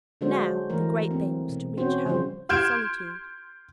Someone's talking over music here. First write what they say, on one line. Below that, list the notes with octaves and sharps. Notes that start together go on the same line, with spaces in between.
Now, the great thing was to reach home, and solitude.
D3 F#3 G#3 D4 F#4 C5
E3 A3 A#4
C4
B2
C4 C#4 F#4 C5
C#3 F3 G3 F4 C5
C6 F6 G6 G#6 D7 E7